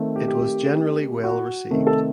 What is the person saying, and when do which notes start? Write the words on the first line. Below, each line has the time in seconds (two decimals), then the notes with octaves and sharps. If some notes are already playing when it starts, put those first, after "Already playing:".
It was generally well received.
Already playing: D#3 A3 C4
0.16 G4
0.28 G4
1.24 F#4
1.71 C3 D#3 A3 C4
1.87 A4